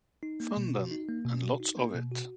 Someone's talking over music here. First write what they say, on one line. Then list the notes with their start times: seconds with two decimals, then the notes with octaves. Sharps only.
Fun, then, and lots of it.
0.23 D#4
0.40 A#3
0.57 B2
0.74 F#4
0.91 D#4
1.09 A#3
1.25 B2
1.43 F#4
1.60 D#4
1.77 A#3
1.95 B2
2.11 F#4